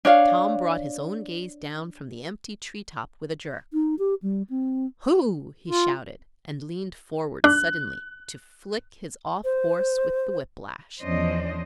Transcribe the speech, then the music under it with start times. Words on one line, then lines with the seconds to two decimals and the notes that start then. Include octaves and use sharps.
Tom brought his own gaze down from the empty tree-top with a jerk. "Hoo!" he shouted, and leaned forward suddenly to flick his off horse with the whiplash.
0.05 D4 C#5 F5
3.73 D#4
3.99 G4
4.22 G3
4.50 C4
5.69 F4
7.44 D4 F#6
9.44 C5
11.00 E2 F3 C#4 D4 C5 D#5